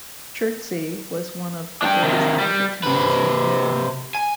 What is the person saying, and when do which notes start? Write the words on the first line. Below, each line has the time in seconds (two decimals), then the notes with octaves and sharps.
Chertsey was one of the oldest market towns in England.
1.82 D4 G5
2.03 C3 D#3
2.38 G3
2.83 C3 B4
4.15 G#5